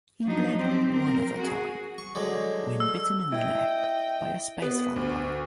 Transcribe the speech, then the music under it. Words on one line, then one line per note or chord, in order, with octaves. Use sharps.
He bled one other time, when bitten in the neck by a space vampire.
F3 F#3 D4 D#4
C4 G4
C4 A#4
F#4 G#4
C#6
D3 F#3 G#3
E6
E4 D#5 G5
B3
D2